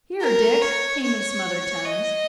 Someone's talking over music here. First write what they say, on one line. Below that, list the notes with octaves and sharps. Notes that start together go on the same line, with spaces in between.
"Here, Dick," came in smothered tones.
A#4
C#5
C#5
D#5